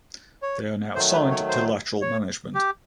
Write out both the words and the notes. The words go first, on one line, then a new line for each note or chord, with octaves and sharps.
They are now signed to Lateral Management.
C#5
D#3 F#3 A3 C5
B4
C#5
C5
C#5
G4